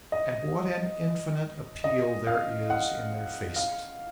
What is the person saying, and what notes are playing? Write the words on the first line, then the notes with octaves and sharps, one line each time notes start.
And what an infinite appeal there is in their faces!
D#5
D#5
F5
F#5
F5